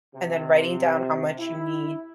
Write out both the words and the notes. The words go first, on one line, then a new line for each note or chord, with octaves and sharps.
and then writing down how much you need
C3
E4